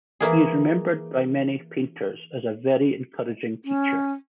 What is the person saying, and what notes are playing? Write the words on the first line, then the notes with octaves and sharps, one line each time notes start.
He is remembered by many painters as a very encouraging teacher.
E3 A#3 G#4
C#4